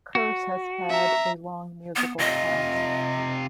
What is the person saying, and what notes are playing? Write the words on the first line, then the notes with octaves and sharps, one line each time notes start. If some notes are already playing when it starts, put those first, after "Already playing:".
Curse has had a long musical past.
F#4
E5 A#5
B3
C3 F4 D#5